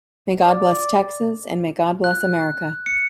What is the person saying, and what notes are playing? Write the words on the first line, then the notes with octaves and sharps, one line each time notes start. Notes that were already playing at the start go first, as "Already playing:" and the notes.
May God Bless Texas and May God Bless America.
D5
F#6
C#7